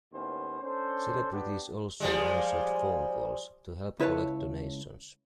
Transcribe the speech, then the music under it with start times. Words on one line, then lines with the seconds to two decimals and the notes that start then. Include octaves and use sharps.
Celebrities also answered phone calls to help collect donations.
0.12 D#2 A2 B3 C#4 E4 C5
0.61 C#4 D4 A4 C5
1.31 B3 D4 G4
2.00 F3 G3 G#3
4.00 C#2 E4 B4 C#5 A5